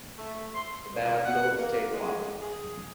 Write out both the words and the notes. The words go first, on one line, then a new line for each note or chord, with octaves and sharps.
Diablo State Park.
A3
C6
B2
F#5
A#3
G#3
G#4